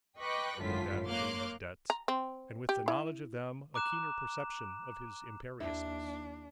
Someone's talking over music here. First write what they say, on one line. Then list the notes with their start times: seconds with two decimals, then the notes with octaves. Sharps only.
Then came his debts, and with the knowledge of them a keener perception of his imperiousness.
0.19 B4 D#5 G5 C#6 D6 F#6
0.61 G#1 F#2 A2 D3 F4 B6
1.06 A#3 C#5 C6 D6 F6 F#6
1.90 A#5
2.08 C4
2.69 G4
2.88 E4
3.74 A#5 D6 F#6 E7
5.60 D#2 D4 E4